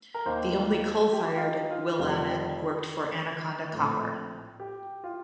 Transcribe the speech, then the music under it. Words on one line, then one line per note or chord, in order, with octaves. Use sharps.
The only coal-fired Willamette worked for Anaconda Copper.
A#4
D#2 D#3 A#3 C5
G4
F4
D#4
F4
F1 F2 D#3 G3 F4
A#1 A2 A3 C4
G4
F4